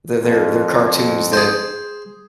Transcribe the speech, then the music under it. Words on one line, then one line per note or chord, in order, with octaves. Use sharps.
They they're they're cartoons that
F2
G#4 C5